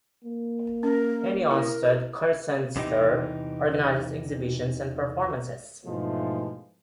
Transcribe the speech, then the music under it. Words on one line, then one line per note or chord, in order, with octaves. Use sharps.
Henie Onstad Kunstsenter organizes exhibitions and performances.
A#3
C#4 A#4
E4 A#4
E2 C3 E3 D#4 G4
G#2 B2 E3 F3 G#3 A3